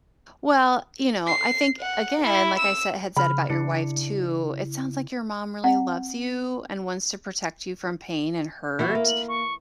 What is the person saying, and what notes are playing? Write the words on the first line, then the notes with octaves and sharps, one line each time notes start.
Well, you know, I think, again, like I said had said about your wife too, it sounds like your mom really loves you, and wants to protect you from pain and hurt.
C7
F#5
E4
E6
C#3 B5 F6
C#3 D4 E4 C#7
C4 F#5
E3 B3 F#4
A#3
F#7
C#6